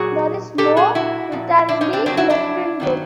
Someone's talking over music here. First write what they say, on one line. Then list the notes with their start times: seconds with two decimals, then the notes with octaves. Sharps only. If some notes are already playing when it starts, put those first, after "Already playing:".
There is no vitality left in them.
Already playing: A#2 F#3 F#4 G#4
0.58 A#2 F#3 G4 A4
0.77 F#4 G#4
0.95 E4 F#4
1.32 A#2 F3
1.69 D4 E4
1.81 C#4 D#4
1.93 C4 D4
2.06 F2 C#3 F#3 C4 D4
2.17 E4 F#4
2.30 D4 E4
2.80 G2 D#3 F#3